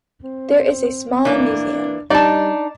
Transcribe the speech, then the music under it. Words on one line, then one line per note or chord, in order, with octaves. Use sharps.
There is a small museum.
C4
E3 A#3 D4
G3 D4 D#4 D5 A5